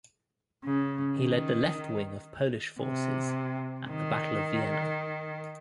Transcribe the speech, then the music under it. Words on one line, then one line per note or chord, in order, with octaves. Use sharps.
He led the left wing of Polish forces at the Battle of Vienna.
C#3
D#3
C3
D#3